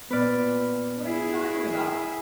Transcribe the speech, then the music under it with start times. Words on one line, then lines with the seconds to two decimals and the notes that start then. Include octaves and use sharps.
What are you talking about?
0.11 A#2 B3 B4 D5 F6
1.03 E4 G#4